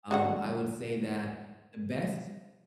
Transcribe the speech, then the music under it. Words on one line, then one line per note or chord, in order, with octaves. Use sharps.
um, I would say that the best
D3 F#4 F#5